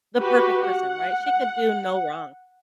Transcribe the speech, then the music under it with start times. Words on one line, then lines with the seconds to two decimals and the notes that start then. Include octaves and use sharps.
the perfect person, right? She could do no wrong.
0.22 F#4 G4 B4
0.67 F#5